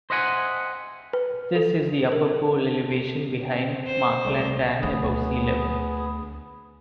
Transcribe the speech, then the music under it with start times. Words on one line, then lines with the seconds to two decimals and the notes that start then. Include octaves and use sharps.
This is the upper pool elevation behind the Markland Dam, above sea level.
0.10 C5 D#5 E5 F#5 G#5
1.13 B4
1.56 A4
2.12 A#4
3.52 C4
3.86 C5
4.25 C2 A3 D5
4.83 D2 B3 G#4